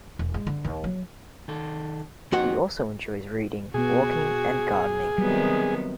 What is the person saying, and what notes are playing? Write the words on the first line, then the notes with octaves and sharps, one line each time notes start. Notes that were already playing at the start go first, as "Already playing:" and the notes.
He also enjoys reading, walking, and gardening.
E1
G#3
D3
D#2
F#3
D#3 A4
F2 A#3 D#4 F#4 F#5
B2 B3 F#4 G#4
C3 D#3 F#3 G3 B3